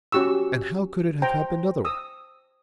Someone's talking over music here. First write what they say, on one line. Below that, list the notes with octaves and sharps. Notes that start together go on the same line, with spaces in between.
And how could it have happened otherwise?
C#4 F#4 G4 C#6 E6
C5 G5 A#5
D#6 E6